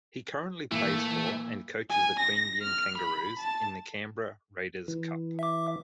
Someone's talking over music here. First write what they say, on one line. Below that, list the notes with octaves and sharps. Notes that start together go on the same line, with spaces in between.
He currently plays for and coaches the Queanbeyan Kangaroos in the Canberra Raiders cup.
A#2 E3 A3 E4
G#5
A#6
F6
B5
A5
E3
E5 D6